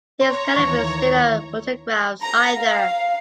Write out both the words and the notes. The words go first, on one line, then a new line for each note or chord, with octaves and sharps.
These cannot be studio photographs either.
C#5 A#5 C6
D#2 E3 A3 C#6
A#5
F5